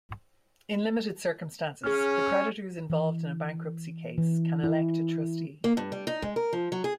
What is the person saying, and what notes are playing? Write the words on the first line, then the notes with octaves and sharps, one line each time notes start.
In limited circumstances, the creditors involved in a bankruptcy case can elect a trustee.
C#4 G#4 F6
E3
E3
E4
A#3
G2
G3
D#4
G#3
A#4
F3
F#3
G#4